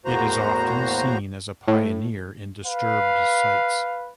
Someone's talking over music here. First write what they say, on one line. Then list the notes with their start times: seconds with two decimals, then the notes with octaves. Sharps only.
It is often seen as a pioneer in disturbed sites.
0.05 E2 A2 A#3 F#4 C5 A#5
1.68 A2
2.65 B4 F5